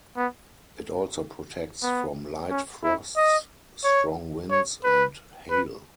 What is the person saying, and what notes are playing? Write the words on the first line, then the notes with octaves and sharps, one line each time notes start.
It also protects from light frosts, strong winds and hail.
B3
B3
C#4
E4
D#5
C#5
C#5
B4
B4